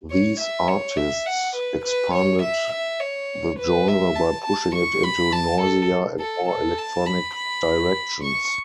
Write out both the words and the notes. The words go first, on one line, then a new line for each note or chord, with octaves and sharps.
These artists expanded the genre by pushing it into noisier and more electronic directions.
C#5
E5
C#5
E5
F#5
B4
B4
C#5
E5
E5
C#5
B4
E5
A5
A5
C#6
B5
A5
A4
A4
A4
A5
B5
B5
C#6